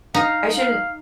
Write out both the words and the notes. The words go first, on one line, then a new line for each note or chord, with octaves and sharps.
I shouldn't
D#4 F5
F5